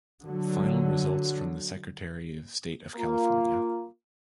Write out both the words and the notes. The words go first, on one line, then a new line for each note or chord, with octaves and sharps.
Final results from the Secretary of State of California.
D3 F#3
A#3 F4